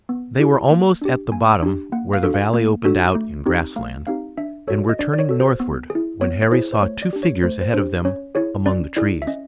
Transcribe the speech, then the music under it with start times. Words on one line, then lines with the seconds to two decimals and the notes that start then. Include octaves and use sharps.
They were almost at the bottom where the valley opened out in grass land, and were turning northward when Harry saw two figures ahead of them among the trees.
0.09 B3
0.39 E4 G4
0.70 A#3
1.02 D4 G4
1.32 A#3 G#5
1.63 D4 G4
1.92 A#3 F#5
2.13 F5
2.23 D4 F#4 A4
2.34 F5
2.54 A#3
2.85 D4 F#4 A4
3.15 A3
3.46 C4 D#4 G4
3.76 A3 F5
4.07 C4 D#4 G4 F5
4.37 D4 E5
4.68 F#4 A4 C#5
4.89 D#5
4.99 D4 D5
5.13 D5
5.19 C#5
5.29 F#4 A4
5.40 C5
5.60 B3
5.90 G#4
5.95 E4
6.21 B3 C#5
6.42 C#5
6.52 E4 G#4 C5
6.73 C5
6.82 A3 C#5
7.03 D5
7.13 D4 G4
7.23 C#5
7.43 A3 C5
7.61 C5
7.73 D4 G4 C5
8.05 C#4 C#5
8.35 E4 G#4 C#5
8.66 C#4 D5
8.96 E4 G#4 D5
9.22 E5
9.27 C#4 D#5